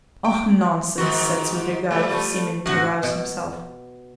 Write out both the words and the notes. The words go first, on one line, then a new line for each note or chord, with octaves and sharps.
"Oh, nonsense," said Svidrigailov, seeming to rouse himself.
G5
G#2 D#3 F#4
F3 G3 A3
A3 A4
A2 D3 F#4
B2